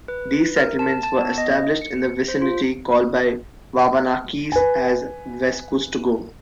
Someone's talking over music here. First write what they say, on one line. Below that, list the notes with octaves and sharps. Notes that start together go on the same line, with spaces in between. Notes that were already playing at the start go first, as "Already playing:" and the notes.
These settlements were established in the vicinity, called by the Wabanakis, as "Wescustogo".
B4
A#4
A5
A5
B3
D#5
C#7
C5
F4
B4 G#5